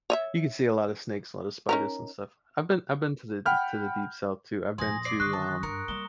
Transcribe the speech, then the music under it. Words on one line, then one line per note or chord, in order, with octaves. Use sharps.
you can see a lotta snakes, a lotta spiders and stuff. I've been I've been to the to the deep South too. I've been to, um
C#5 D#5 E5
C#4 D#4 A#4
F#5 G5 B5 F6 G6
F2 A#2 G#5 C6 D#6 A#6
D5 C7
D3 D#3 C#6 D#6 F#6
A5
G2 A#4 C#7
G3 A#3 A#5 D#6 G7